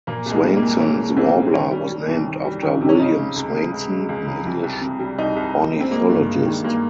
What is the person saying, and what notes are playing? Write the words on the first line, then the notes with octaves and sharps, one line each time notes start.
Swainson's warbler was named after William Swainson, an English ornithologist.
A#2 A#3
C2
G#3
G3
A#3
C2
C2 C#4
C2
C2 C4
G3
D#3 C#4
G3
G3
C2
D#3
G3
D#3
C3
C#4
C#3 D#4
C#3
C#2
C#2
G#3
G#3
C#2
C#3
C2
C2
C3
G3
C2 D#4
C2
C2
G3
C4
G#3 A#3
G2
G#3
D#3
G2 A#3